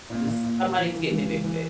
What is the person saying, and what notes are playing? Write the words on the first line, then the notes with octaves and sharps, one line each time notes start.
This" somebody's getting evicted.
A#2
A#2
A#2
A#3
E3
E3
C#2
E3
E3